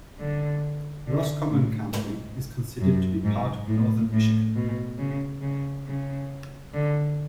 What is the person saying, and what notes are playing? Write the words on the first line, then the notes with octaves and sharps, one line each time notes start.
Roscommon County is considered to be part of Northern Michigan.
D3
D3
A2
G#2
F#2
G#2
A2
A2
B2
C#3
C#3
C#3
D3